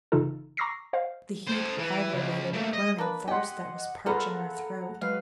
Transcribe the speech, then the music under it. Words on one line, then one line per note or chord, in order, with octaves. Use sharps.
The heat aggravated a burning thirst that was parching her throat.
G1 C#3 E3 D#4 F4 A4
A#5 C#6 D6 E6 A#6 C7
C5 D#5 F5
A4 C5
E3
C#2
A3 A#3
D#5
A#3 D4 B4
G4 D#5 F#5 G#5 C6
A#3 B3 F4 G#4 A4 F#5 A#5 B5
F#3 G#3 B4 F5